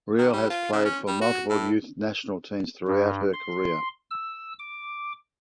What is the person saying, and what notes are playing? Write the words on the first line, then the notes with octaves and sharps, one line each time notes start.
Riehl has played for multiple youth national teams throughout her career.
D#3
G3
F4
C#3
C#4
G3
F#4
A2
G2
C6
E6
D6